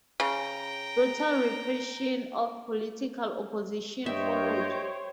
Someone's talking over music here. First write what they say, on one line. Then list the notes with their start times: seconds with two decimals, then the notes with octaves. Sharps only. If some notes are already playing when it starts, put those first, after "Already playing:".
Brutal repression of political opposition followed.
0.20 C#3 G5 A#5
4.06 G2 G4 C5 C#5 D#5 E5 G5